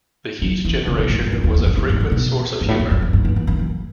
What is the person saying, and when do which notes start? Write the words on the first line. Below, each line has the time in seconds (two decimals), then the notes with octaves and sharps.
The heat generation was a frequent source of humour.
0.42 F#3
0.65 E3
0.87 C#3
0.99 B2
1.10 A2
1.21 G2
1.33 F#2
1.44 E2
1.55 E2
1.66 F#2
1.77 E2
1.89 F#2
2.01 A2
2.12 B2
2.61 G2
2.68 A2
2.80 F#2
2.91 F#2
3.02 F#2
3.13 F#2
3.25 G2
3.36 E2
3.47 F#2
3.59 F#2